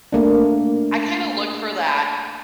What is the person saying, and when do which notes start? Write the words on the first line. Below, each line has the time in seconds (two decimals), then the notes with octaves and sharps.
I kinda look for that
0.12 A3 A#3 D4